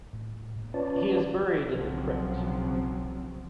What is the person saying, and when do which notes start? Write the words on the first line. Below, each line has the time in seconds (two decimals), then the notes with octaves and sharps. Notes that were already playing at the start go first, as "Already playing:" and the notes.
He is buried in the crypt.
0.13 A2
0.74 C#4 F4 B4 C#5 D5 A5
1.69 B1 C#3 F3 F#3 C4